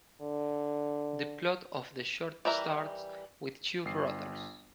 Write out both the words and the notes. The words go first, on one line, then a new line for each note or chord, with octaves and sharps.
The plot of the short starts with two brothers.
D3
E3 G3 A#4 E5 A#5
G1 C7